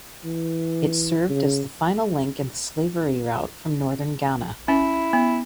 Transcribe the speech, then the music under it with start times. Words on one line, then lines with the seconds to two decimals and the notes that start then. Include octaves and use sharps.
It served as the final link in the slavery route from Northern Ghana.
0.25 E3
1.29 C#3
4.68 C#4 E4
5.13 B3